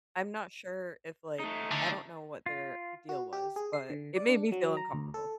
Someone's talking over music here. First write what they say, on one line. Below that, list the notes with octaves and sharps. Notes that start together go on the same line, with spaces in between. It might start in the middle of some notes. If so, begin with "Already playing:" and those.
I'm not sure if, like I don't know what their deal was, but it made me feel uncomfortable
A3 D#4
D3
F4
F#4
G4
G#4
C7
D3
D5
D4
F#3
A#5
D2
A4